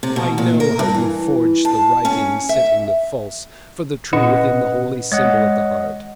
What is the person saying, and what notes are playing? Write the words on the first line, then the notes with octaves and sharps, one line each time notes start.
I know how you forged the writing, setting the false for the true within the holy symbol of the Heart.
C3
B2
A#2
A#4
G2
E3
A5
C#4
E5
A#2 C#4 E4 B4 D#5 F#5
G#3 C#5 D#5 F#5